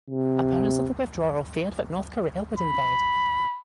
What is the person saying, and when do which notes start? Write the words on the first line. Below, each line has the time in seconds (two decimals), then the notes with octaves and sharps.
Opponents of the withdrawal feared that North Korea would invade.
0.10 C3
2.58 B5